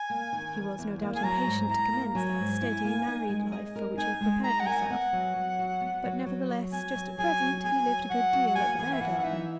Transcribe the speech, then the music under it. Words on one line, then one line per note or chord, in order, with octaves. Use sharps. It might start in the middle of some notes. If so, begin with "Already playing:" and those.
He was no doubt impatient to commence that steady married life for which he had prepared himself. But nevertheless, just at present, he lived a good deal at the Beargarden.
Already playing: G#5
A#3
D#3
E2
E2
A#3
G#5
F#3 A#5
G#2
E4 A#5
A#3
F#3 G#5
G#2
E4
A#3
D#4
G#3
D#5
A#4
D#4 G#5
G#3 G#5
D#5 A#5
F#5
A#4 G#5
B3 F#5
F#3
F#3
F#4
B3
F#3
F#3
F#4
B3 G#5
F#3
F#3 G#5
F#4
B3 G#5
F#3
F#3 F#5
F#4
F#5
A#3 G#5
E3 G#5
E5
E3 F#5
F#5
D#4 E5